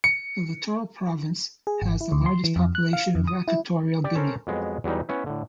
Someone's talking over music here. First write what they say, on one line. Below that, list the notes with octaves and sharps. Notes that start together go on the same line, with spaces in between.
The Litoral Province has the largest population of Equatorial Guinea.
C#7
G#4
G#1
E4
D2
C6
E3
F2
F#6
F5
F2
D#6
E4
G4 D5
C#4 A4 A#4 C5
F2 F#3 G#3 B3
E2 F#3 G3 D#4
B3 C#4 E4
A2 D3